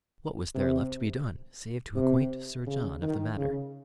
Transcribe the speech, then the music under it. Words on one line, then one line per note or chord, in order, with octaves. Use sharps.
What was there left to be done, save to acquaint Sir John of the matter.
C3
C3
C#3
D#3
C#3